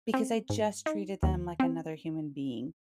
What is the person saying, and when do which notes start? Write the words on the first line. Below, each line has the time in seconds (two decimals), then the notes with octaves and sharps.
because I just treated them like another human being,
0.14 C4
0.50 G#2
0.86 D#4
1.23 D#2
1.60 C4